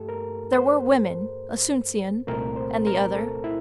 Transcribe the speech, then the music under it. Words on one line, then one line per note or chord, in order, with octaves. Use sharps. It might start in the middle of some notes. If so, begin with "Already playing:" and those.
There were women, Asuncion, and the other.
Already playing: G2 A3 G4 A4
A#4
C5
C2 A#2 A3 C4 A#4
C5
A#4
A4
E4